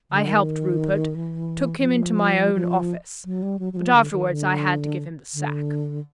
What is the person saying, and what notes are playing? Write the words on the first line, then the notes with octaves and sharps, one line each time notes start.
I helped Rupert, took him into my own office; but afterwards I had to give him the sack.
D3
D#3
E3
E3
F3
F3
F#3
G3
F#3
F#3
F3
D3
D#3
D3
D3